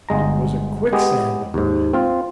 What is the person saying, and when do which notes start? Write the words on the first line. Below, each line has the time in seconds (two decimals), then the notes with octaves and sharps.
It was a quicksand of a bed.
0.09 G1 G#3 A#5
0.93 G#3 B3 G4 G#4
1.54 D#2 G#2
1.93 C4 F4